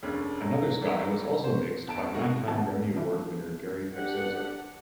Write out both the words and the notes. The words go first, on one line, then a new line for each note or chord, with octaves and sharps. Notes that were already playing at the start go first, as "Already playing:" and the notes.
Another Sky was also mixed by nine-time Grammy Award-winner Gary Paczosa.
F1 D#2 C#4 D4 G#4
F#3
E3 F#3 G3
C5
E2 A5 D7
B2 G#3 A#3 D#4 F#4 G#4
E2 G#2 D#3 F#3 A5
E3 F3
D4 G4 F#5